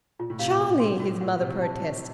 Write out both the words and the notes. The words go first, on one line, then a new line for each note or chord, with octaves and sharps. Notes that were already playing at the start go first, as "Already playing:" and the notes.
"Charlie!" his mother protested.
A#2 F4
A2
C3 F5
A#2
A#2 A#4
A2 C6
A2 F#4
A#2 F#5
C3 C5
A5
D#4